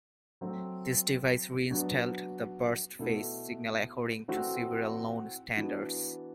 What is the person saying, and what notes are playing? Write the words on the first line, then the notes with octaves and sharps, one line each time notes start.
This device reinstalled the burst phase signal according to several known standards.
F#3 A3 C4
F#3 B3 D4 F#4
B2 A3 E4
E3 A3 C4 F#4
E3 B3 D4 F#4